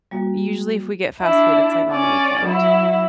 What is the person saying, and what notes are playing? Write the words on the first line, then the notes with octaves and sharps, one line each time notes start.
usually, if we get fast food, it's like on the weekend.
G3 A#3 F#4
D4 E4
C#4 D5
F#3 E4